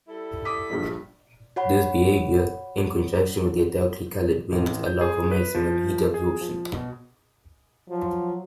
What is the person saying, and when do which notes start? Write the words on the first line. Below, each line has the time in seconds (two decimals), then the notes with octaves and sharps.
This behavior, in conjunction with their darkly-colored wings, allow for maximum heat absorption.
0.08 G3 E4 A4
0.45 D6 D#6 B6
0.70 A#1 G2
1.56 F#4 C#5 F#5 B5
4.52 A1
4.86 G6
5.01 G#4
5.31 B4
5.55 F3
6.14 G#4
6.41 F3
6.75 B2
7.89 F3 F#3